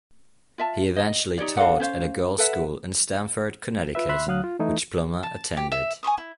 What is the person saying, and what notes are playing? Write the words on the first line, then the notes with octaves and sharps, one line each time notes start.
He eventually taught at a girls school in Stamford, Connecticut, which Plummer attended.
F4 E5 A5
D#5
D#4 G4 C#5 D5
D4 A4 F5 F#5
C#4 C5 F5
A4 B4 E5 F#5
F4 B4 E5
D2 E5 B5 C6 F#6
D2 F#3 F5 D#6 F#6
F4
E3 A3 D#4 E4
A5
G4
E5
G#5 C6 C#6 D#6
E4